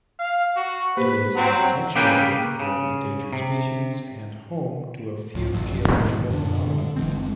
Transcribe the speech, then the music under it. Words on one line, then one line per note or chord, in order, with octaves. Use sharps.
It is a sanctuary for endangered species and home to a few geological phenomena.
F5
F#4
A#3 G4 B4 C5
F#3 C4
C#3 A#3 C#4 G4 B4 G5
C#3
C3
C#2 A2
A1 F#2
G#2 B2 D#3 E3
F#2 A#2 D3 D4
D3
F#1 E3 G#3 C4